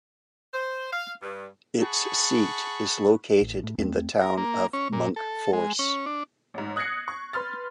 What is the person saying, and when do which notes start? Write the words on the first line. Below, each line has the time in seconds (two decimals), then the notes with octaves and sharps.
Its seat is located in the town of Munkfors.
0.54 C5
0.92 F5
1.22 G2
1.80 G#4 F#5 A5 B5 C#6
3.42 A1
3.63 A2
3.78 E2 A3 C4
4.21 A#4
4.37 A#3
4.73 C#4
4.93 A#2
5.16 A4
5.53 G#3
5.79 C#4
6.06 D4
6.54 A1 G#2
6.76 D#6 F#6 G#6 A#6 C7 C#7
7.08 C#6
7.33 B4 B5 C6 F6 A6